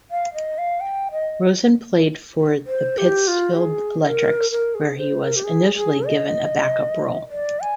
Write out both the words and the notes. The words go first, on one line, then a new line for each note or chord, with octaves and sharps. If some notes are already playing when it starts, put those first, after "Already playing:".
Rosen played for the Pittsfield Electrics, where he was initially given a back-up role.
F5
D#5
F5
G5
D#5
C5
G4
F4
G#4
A#4
A#4
G#4
C5
A#4
G4
G#4
G#4
D#5
D5
G#5